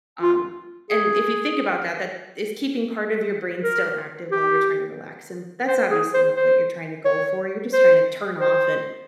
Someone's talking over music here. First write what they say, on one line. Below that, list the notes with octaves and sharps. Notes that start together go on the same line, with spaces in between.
um, and if you think about that, that is keeping part of your brain still active while you're tryna relax, and that's obviously not what you're tryna go for, you're just tryna turn off and
F4
G#4
A#4
G4
C5
G#4
C5
C5
C#5
C5
C5